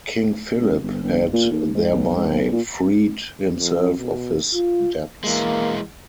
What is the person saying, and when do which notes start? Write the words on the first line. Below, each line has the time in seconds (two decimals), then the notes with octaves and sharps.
King Philip had thereby freed himself of his debts.
0.60 C#2
0.83 G1
1.03 G1
1.33 A#2
1.51 D#2
1.75 G#2
1.91 B1
2.16 G#2
2.29 B1
2.52 A#2
3.55 F2
3.97 B2
4.54 F4
5.24 E3 G#3 A#3